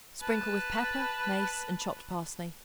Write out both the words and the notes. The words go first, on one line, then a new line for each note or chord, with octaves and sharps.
Sprinkle with pepper, mace and chopped parsley.
B4 A5